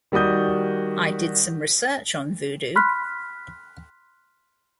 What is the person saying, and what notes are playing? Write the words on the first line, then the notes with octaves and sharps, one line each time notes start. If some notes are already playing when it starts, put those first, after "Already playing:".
I did some research on voodoo.
D#3 G3 F#4 D#6 G6
B5 C6 F6 F#6 B6